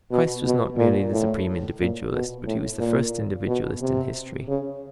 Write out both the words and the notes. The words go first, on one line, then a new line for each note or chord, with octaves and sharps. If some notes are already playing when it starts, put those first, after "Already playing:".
Christ was not merely the supreme individualist, but he was the first individualist in history.
B2
B2
A#2
A2
A#2
B2
A2
A#2
B2
C3
C#3